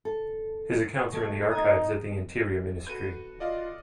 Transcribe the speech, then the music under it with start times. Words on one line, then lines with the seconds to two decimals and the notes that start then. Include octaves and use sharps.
His accounts are in the archives of the Interior Ministry.
0.05 A4
1.12 B2 A3 G#6
1.51 D#4 D#6 G#6
2.87 F#4 A4 B4 G6 D#7
3.40 F4 D5 D#5 F5